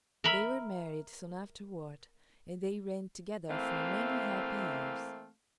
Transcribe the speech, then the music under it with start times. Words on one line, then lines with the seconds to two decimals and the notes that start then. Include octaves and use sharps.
They were married soon afterward, and they reigned together for many happy years.
0.24 A#4 E5 B5
3.49 E3 A3 A#3 C4 F5